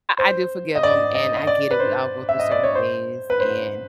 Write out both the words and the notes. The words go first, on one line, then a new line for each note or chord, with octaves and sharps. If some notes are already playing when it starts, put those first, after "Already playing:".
I do forgive him, and I get it. We all go through certain things, and,
C5
D#5
D5
D#5
D#5
D5
B4
C5
E5
D#5
D5
C#5
C5
B4
C5